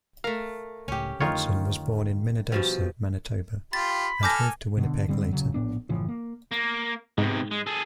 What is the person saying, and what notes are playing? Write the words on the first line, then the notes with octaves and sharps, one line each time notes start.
Watson was born in Minnedosa, Manitoba and moved to Winnipeg later.
A3 A#4 F5
C#2 A2 C#4 G4
F2 D3 D#3 A3 F4 C#5
G2 B2 F3
F4 G4 B5 C6 A6
A4 G#5 D6 F6 G6 A#6
B2 D3
G2 D3 G3 C4
D#1 C#3 F#3
A#1 A2 B3 D4
F#1 A2 E3 F3
A#3
A#3
G#2 C3 B3
G#3
G#4 A4